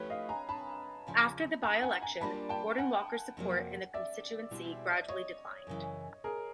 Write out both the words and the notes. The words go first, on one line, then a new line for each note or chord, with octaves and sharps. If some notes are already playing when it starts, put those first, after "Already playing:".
After the by-election, Gordon Walker's support in the constituency gradually declined.
Already playing: F3 A3 C#4 E4 G4 B4 C#5
D#5 F5
G#5 A#5
A5 B5
E2 C#3 F3
G#5 A#5
F#5 G#5
G#5 A#5
G3 A#3 D4 F4 A5 B5
G5 A5
F#5 G#5
F2 C3 D#3 F#3 A#3
D5 E5
B2 G3 C4 E4 G#4
C#5 D#5
F#2 C#3 E3
G#4 A#4